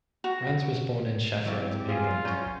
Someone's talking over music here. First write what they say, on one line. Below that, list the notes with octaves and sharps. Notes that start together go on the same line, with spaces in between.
Rands was born in Sheffield, England.
F#4
E3 F#3 C4 G4 F5
F4 G#4 G#5
F#3 C#4 C5